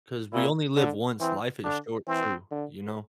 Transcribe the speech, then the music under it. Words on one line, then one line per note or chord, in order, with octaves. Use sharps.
'Cause we only live once. Life is short too. You know?
A#2 E4
D3
E3 C4
D3 D4
E3 C4
D3